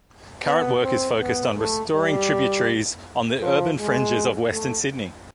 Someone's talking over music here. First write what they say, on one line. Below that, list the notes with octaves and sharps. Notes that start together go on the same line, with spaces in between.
Current work is focussed on restoring tributaries on the urban fringes of Western Sydney.
B3
C4
B3
A3
G3
F3
G#3
A3